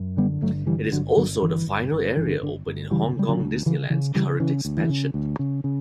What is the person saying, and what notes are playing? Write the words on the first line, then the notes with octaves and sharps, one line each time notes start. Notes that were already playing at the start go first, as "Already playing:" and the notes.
It is also the final area opened in Hong Kong Disneyland's current expansion.
Already playing: F#2
D3 G3 B3
G1 F#3 A3
D3 E3 G3
G1 D3 F#3
G1 D3 F#3
G1 E3
G1
G1
G1 E3
D3
G1 D3
G1
C#3 E3 G3
C#3 G3
D3 F#3
D2
C#3 E3
C#3 E3
C#3 E3 G3
C#3 E3
D2
E3
C#3
D2
C#3
C#3